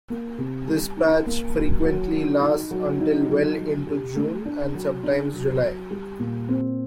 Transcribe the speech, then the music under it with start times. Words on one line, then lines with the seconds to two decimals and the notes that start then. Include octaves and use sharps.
This patch frequently lasts until well into June and sometimes July.
0.10 A#3
0.38 C3
0.68 G3
0.97 D#4
1.26 A#3
1.54 F#3
1.83 F#3
2.13 D#4
2.42 D#4
2.71 F#3
3.00 D#4
3.29 F#3
3.59 F#3
3.87 G4
4.16 A3
4.46 D4
4.75 F#3
5.03 D4
5.33 F#3
5.62 F#3
5.91 G3
6.19 A#2
6.49 C4